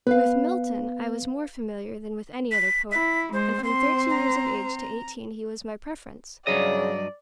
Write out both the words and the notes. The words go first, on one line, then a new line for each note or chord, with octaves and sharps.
With Milton I was more familiar than with any other poet, and from thirteen years of age to eighteen he was my preference.
B3 B4 F5
B6
E4 B6
G#3 C5
C4 C5 C6
A#5
G2 C#3 F#3 D5 D#5